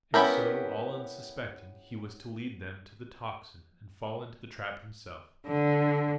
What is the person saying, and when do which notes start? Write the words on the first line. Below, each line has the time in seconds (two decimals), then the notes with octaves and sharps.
And so, all unsuspectingly, he was to lead them to the Tocsin and fall into the trap himself!
0.14 B3 C#4 E4 G4 A#4
5.45 D3